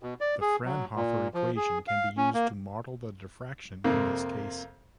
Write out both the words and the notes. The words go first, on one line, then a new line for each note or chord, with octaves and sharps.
The Fraunhofer equation can be used to model the diffraction in this case.
B2
D5
G#4
F#3
A#2
F3
G#4
F5
C#4
A#3
F2 C3 A#3